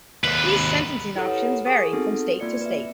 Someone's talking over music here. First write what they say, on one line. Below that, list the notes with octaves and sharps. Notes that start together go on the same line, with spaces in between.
These sentencing options vary from state to state.
D#2 B4
E4 G4 A4 C#5 F#5
B4
G#4 A#4 G#5 C#6 D#6
B3 C4 D#4 F#4 A4
A#3 F4 D5 C#7
B4 E5